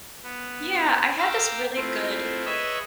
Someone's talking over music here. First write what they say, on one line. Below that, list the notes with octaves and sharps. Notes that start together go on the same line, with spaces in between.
Yeah, I had this really good
B3
F5 G5 A#5 D6 E6 F6
A3 C4 E4 F4
G#4 B4 C#5 D#5 E5 E6